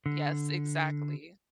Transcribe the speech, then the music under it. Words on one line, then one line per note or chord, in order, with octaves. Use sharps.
Yes, exactly.
D3